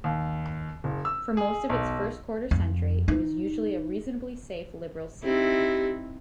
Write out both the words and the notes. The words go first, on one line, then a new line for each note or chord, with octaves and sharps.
For most of its first quarter-century, it was usually a reasonably safe Liberal seat.
D#2
F#1
E6
G#4
B1
F2
D#4
C4 D#4 E4 G4